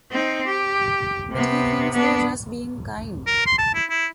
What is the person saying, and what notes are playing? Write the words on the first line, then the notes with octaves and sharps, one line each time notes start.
But he thinks they are just being kind.
C4 D#4
G4
C3 B3
B3 D4
A#4
C6
A5
E4
E4